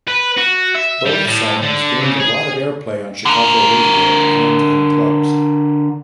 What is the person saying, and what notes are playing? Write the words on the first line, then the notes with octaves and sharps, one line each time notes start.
Both songs gained a lot of airplay on Chicago radio and in clubs.
B4
F#4
E5
G3
A2
D3
C#3
G#4
D3 A#4